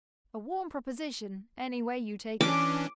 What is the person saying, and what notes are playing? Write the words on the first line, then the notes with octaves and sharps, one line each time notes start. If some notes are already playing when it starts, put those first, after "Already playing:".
A warm proposition any way you take it.
E3 C#4 D4 D6